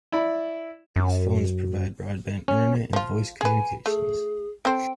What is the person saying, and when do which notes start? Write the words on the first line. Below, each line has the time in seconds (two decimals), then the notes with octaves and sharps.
These phones provide broadband Internet and voice communications.
0.12 E4 D5 B5
0.96 F#2
2.48 C#4
2.93 F3 F4
3.41 G#4 B4 G#5
3.86 A3 G#4
4.65 C4 A4 C5 G5